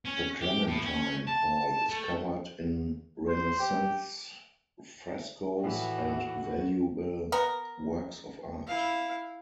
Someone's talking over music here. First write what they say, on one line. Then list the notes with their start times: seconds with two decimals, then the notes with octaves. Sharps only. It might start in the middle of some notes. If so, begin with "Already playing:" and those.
The Clementine Hall is covered in Renaissance frescoes and valuable works of art.
0.05 C#4
0.41 G4
0.68 A2
0.85 C#4
1.27 A5
1.89 A3
3.28 C5
3.59 G4
5.63 A2 E3 F#4
7.32 B3 A#4
8.67 E4 F5